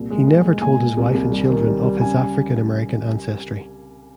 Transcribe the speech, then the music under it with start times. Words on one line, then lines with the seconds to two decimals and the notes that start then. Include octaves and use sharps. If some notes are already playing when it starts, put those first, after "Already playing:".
He never told his wife and children of his African American ancestry.
Already playing: C2 A#2
0.10 G#3
0.28 G#3
0.45 G#3
0.62 A#2 G#5
0.80 A#2
0.97 C2
1.14 C2
1.32 G3
1.49 D#3
1.67 G3
1.83 G3
2.01 C#3 G#5